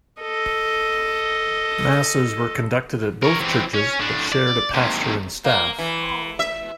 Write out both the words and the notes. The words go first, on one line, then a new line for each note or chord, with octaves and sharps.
Masses were conducted at both churches, but shared a pastor and staff.
A4 D#5
A#4 C#5
E3 C4
C#4
A2 D4
D5
D#2 C3
A#3
E3
E5